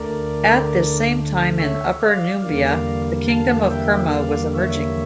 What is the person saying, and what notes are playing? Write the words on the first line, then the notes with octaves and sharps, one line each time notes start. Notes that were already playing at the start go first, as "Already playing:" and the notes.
At this same time in Upper Nubia the Kingdom of Kerma was emerging.
Already playing: D2 D3 A3 A#4 D5
C#5 E5
D5 F5
E2 D3 G3 A#3 D5 F5
F5 A5
E5 G5
D5 F5
C#5 E5